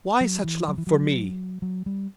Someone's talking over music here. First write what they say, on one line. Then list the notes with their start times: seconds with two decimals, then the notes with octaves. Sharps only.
Why such love for me?
0.21 F#3
0.44 E3
0.68 F#3
0.78 E3
0.87 F#3
1.62 F#3
1.86 G3